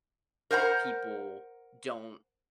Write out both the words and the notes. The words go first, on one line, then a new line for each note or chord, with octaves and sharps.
people don't
A#4 C5 F#5 A#5